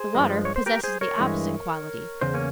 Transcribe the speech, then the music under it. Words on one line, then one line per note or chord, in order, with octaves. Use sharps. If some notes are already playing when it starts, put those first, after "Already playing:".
The water possesses the opposite quality.
Already playing: G#4 C5
G2 F3 G#3
C#5
C5
G4 A#4
G#4 C5
A#4 C#5
G2 E3 G#3
E2 C#3 C5
A#3 C#4